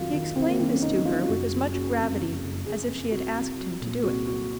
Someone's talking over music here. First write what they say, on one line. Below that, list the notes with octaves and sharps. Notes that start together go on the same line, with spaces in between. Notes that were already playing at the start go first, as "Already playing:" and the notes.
He explained this to her with as much gravity as if she had asked him to do it.
Already playing: F2 D#3 F#3 F4
D#3
D#3 C4
A#3
D#3 C4
C#4
F2 D#4
F#3 F4
F#1 F#4
F#1
C#3 F#4
F2
C#3
F#1
F#1 G#4
F2
C2 F#4
C2
F#3
A#2
C2 F#4
F#3 F#4